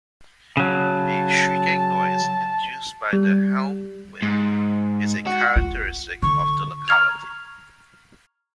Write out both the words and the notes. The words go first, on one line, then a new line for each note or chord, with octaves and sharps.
A shrieking noise induced by the Helm Wind is a characteristic of the locality.
C#3 F#3 A5
G3
G#2
F#4
F4
D3 C#6
A#5 C#6 F6 G#6 F7